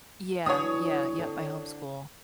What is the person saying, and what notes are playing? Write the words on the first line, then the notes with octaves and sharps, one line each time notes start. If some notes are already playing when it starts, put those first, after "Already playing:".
Yeah, yeah yep, I homeschool.
E3 F#3 D4 C#5 D#6
D3 C4 A4